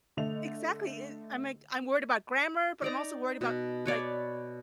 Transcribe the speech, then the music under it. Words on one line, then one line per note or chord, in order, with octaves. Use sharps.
Exactly, i i I'm, like, I'm worried about grammar, but I'm also worried about, like,
D3 A3 D#5 F7
D#4 D5 A#5
B2
B4 C#5 D5